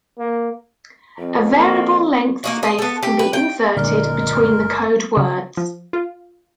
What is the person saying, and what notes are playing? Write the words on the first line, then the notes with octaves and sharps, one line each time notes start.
A variable length space can be inserted between the code words.
A#3
F2 C4
A#3
A#3 D#4 F#4
D#5
B3 A4
G4
B4
G5
F#1 A#2 D3 G#3 A#4 D5
C#3
F3
F4